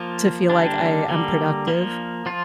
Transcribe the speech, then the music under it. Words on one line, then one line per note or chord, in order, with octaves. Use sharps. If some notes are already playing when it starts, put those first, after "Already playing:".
to feel like I am productive,
Already playing: F3 A#3 F4
D3 G3 A#3 D4
D3 G3 A#3
F3 A#3
F3 F4